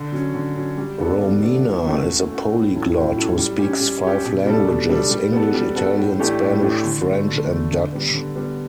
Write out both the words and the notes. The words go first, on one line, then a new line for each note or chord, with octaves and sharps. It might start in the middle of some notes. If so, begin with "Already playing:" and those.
Romina is a polyglot who speaks five languages: English, Italian, Spanish, French and Dutch.
Already playing: D3
F#3 C#4
D3
F#3 C#4
G3
B3 D4 F#4 A4
G3
B3 D4 F#4 A4
E3
A3 C#4 F#4
E3
A3 C#4 F#4
A2
F#3 C#4 E4 A4
A2
F#3 C#4 E4 A4
G3
C#4 G4
G3
C#4 G4
B2
G3 D4 A4
B2
G3 D4 A4
G3
B3 F#4 A4
G3
B3 F#4 A4
A2
E3 A3 D4 G4
A2
E3 A3 D4 G4
D3
F#3 A3
D3
F#3 A3
D3
G3 B3
D3
G3 B3